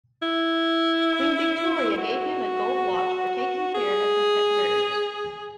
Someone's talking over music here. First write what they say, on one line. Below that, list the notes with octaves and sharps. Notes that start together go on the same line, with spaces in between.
Queen Victoria gave him a gold watch for taking care of her pet birds.
E4
F#4
G#4